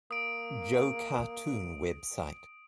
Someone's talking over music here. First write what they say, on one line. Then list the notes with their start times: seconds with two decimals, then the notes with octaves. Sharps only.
Joe Cartoon Website.
0.11 A#3 D#6 D7